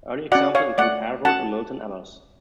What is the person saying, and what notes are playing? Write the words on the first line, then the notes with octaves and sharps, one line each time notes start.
Early examples include Harewood and Milton Abbas.
C#4 F#4 D5 F#5
C#5 F5
A3 D5 F#5
C#4 F#4 F#5 A5